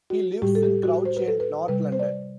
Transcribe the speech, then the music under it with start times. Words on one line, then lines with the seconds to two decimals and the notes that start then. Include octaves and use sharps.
He lives in Crouch End, North London.
0.10 F#4
0.42 A2 G3 G4
0.55 A4
0.63 G4
0.83 F#4
1.05 C5
1.17 B4
1.28 A4
1.40 B4
1.68 C3 G3 B4
1.92 C5
1.99 D5